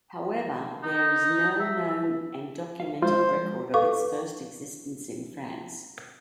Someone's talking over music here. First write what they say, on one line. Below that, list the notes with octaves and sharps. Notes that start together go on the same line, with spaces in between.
However, there is no known and documented record of its first existence in France.
D#4
E5
F5
F3 G#3 F4 C5
A4 B4 F5 C#6 D6